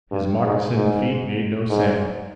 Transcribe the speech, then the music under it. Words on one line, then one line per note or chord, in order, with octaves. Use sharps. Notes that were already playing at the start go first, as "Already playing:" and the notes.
His moccasined feet made no sound.
G2
G#2
G#2
G#2